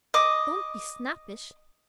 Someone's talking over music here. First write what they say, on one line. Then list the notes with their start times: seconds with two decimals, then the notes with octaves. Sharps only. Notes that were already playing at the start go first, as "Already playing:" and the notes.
Don't be snappish.
0.14 D#5 D6